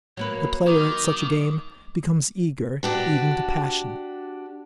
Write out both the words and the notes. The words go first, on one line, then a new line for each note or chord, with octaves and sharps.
The player at such a game becomes eager, even to passion.
F#3 A#3 B4 C#5
D#3 D6
D4 F#4 G4